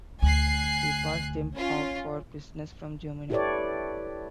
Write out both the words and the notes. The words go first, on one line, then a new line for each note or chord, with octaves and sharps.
He passed them off for prisoners from Germany.
D2 G#5 F#6 C7
C#4 F4
E4 G4 A4 B4 C#5 D5